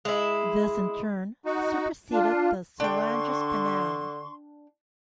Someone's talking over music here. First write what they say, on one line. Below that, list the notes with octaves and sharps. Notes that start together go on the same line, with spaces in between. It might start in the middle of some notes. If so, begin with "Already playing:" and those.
This in turn superseded the Soulanges Canal.
G#3 E4
D#4 F#4
D4 F4
D3 D4 G5 C6 C#6